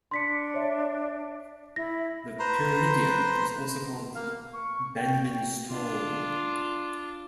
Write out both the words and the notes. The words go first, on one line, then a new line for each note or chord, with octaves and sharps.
The pyramidion is also called 'Benben stone'.
D4 C6 B6 C#7
C#5 E5
E4 A#6
B4 C5 A#5 C6
A#3 F5
C#6
G5
D4 F4